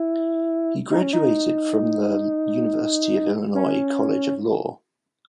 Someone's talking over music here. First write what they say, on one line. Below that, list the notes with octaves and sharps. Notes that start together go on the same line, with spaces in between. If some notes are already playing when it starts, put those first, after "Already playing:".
He graduated from the University of Illinois College of Law.
Already playing: E4
D#4
C#4
D#4
C#4